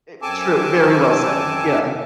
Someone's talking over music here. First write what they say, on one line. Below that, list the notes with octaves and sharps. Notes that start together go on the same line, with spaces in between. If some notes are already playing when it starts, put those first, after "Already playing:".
I true, very well said. Yeah.
F#2 C4 A4 G#5 A5 D6